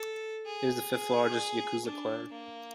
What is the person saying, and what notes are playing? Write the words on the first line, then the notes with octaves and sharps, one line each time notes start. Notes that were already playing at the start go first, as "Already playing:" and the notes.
It is the fifth largest Yakuza clan.
Already playing: A4
G#4
G#4
D4
A#3